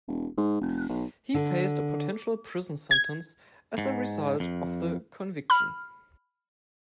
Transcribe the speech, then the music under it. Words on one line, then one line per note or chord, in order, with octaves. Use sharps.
He faced a potential prison sentence as a result of the conviction.
E1
G#2
F1
B1
D3
G#6
G#2
F2
B5 F6